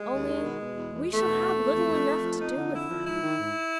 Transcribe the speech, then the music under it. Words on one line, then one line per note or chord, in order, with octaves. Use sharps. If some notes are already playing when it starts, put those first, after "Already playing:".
Only we shall have little enough to do with them.'
Already playing: G#3
D#2
D#3
B2
B2
E2
E2
E2 A3
B2
E2
E2
F2
F2
F2
F3
F2 D#4
D3
F2 E4
F3
G#2 E4
D#3
G#2